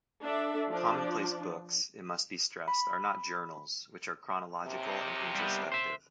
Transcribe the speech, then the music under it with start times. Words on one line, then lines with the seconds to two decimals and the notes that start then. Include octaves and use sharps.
Commonplace books, it must be stressed, are not journals, which are chronological and introspective.
0.22 D4 A4 E5
0.70 F3 D4
2.68 B5
4.63 D#2 C3
5.35 G3 B3
5.72 C5 E5